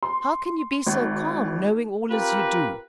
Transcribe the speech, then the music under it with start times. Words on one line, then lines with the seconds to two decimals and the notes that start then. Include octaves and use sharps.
"How can you be so calm, knowing all as you do?"
0.03 C6
0.86 G#1
2.10 C4 F4 G4 A#4 B4